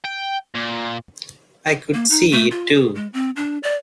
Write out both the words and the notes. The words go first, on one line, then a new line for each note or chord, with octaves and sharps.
I could see it too.
G5
A#2
A#3
D#4
A3
F4
G#4
G#3
C4
D4
D5